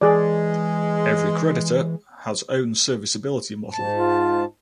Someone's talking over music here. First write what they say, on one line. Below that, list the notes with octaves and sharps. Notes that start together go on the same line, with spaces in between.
Every creditor has own serviceability model.
E3 G#3 G#4 D5
G#2 A5
F4